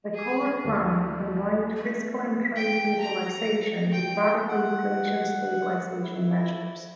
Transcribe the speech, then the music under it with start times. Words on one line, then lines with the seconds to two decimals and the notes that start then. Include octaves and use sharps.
The Collor plan combined fiscal and trade liberalization with radical inflation stabilization measures.
0.15 G#4
0.64 D#2 G3
1.76 A3
2.56 G5
3.00 A#5
3.91 G5
4.49 F#5
6.03 E4